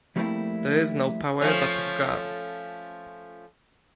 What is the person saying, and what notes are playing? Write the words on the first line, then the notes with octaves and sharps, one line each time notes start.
There is no power but of God.
F3 G3 A3 A#3 C4 E4
F3 A3 C#4